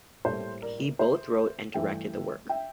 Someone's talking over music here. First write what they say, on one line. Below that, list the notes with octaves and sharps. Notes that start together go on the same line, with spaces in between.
He both wrote and directed the work.
A2 G3 A#3 A4 C5
A#4 D5
C5 E5
G2 E3 A3 E5 G5
E5 G5